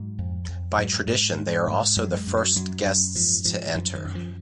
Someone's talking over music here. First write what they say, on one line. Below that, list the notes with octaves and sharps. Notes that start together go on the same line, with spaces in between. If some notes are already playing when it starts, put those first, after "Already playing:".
By tradition they are also the first guests to enter.
Already playing: G#2 F#3
F2
F2
G#2 F#3
G#2
G#2
G#2
F#2 F#3
G#3
F#2
F#3
F#2 F#3
F#2
G#2 F3
G#2 F3
F#2 F3
D#3
F#2
F3